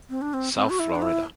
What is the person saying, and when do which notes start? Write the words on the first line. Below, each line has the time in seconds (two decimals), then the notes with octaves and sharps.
South Florida.
0.09 C4
0.22 D4
0.34 C4
0.55 C4
0.70 F#4
0.79 E4
0.95 D4
1.02 E4